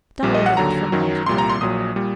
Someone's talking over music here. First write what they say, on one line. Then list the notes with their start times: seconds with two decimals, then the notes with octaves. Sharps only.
Dolly looked from one to the other.
0.23 A#1 A#2 G3
0.34 D#5
0.46 F#5
0.57 D#2 D3 F#3 A#5
0.92 F#2 D#3 F#3
1.26 C2 A#2 G3 C6
1.38 A#5
1.50 C6
1.61 A#1 A#2 F#3 D#6
1.96 A#2 G3